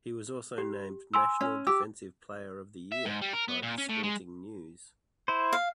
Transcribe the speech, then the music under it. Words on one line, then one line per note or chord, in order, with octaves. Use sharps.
He was also named National Defensive Player of the Year by "The Sporting News".
G4
G#5 C6 E6
C#4
G4 E6
E5
G#2
G3
A#4
B3
A#2
C#4
A2
G#3
E4 C5
F5